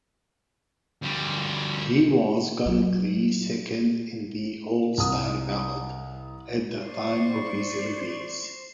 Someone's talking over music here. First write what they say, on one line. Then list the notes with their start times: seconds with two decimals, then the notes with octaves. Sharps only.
He was currently second in the all-star ballot at the time of his release.
1.03 D2 G3
2.66 F#3
4.98 C2 D#6
6.87 C5 D5 C#6